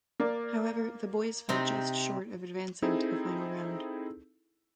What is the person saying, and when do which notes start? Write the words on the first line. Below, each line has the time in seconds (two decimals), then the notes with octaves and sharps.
However, the "Boyz" fell just short of advancing to the final round.
0.20 A#3 D5
1.49 C3 C4 D#4
2.82 C4 D#4 E4 G#4 A4